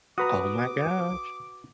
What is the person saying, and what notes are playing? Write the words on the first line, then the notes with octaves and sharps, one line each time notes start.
Oh my gosh,
F#4 B4 A#5 D6 D#6